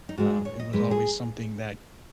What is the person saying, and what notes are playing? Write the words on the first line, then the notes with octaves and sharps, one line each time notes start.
uh, it was always something that
D#4
G#2 G#3 F#4
C#5
D#5
G#2 G#3 B4
G#4